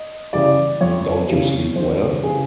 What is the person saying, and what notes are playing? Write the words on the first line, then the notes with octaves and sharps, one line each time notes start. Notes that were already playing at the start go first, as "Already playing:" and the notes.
Don't you sleep well?
Already playing: D#5
C#3 E3 G3 D5
F2 C#5
C#3 E3 G3
F2 C5
C#3 E3 G3 G#4